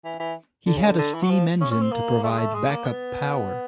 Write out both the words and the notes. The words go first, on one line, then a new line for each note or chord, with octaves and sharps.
He had a steam engine to provide backup power.
E3
E3
D3
C#3
D3
D3
E3
F#3
F3
C#4
C#4
C4
A#3
A3
G#3
A3
G#3
A#3
B3